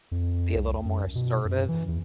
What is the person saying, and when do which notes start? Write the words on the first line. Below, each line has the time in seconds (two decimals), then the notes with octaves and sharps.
Be a little more assertive
0.11 F2
0.55 C2
0.85 F#2
1.15 B2
1.45 F#2
1.69 E3
1.88 E2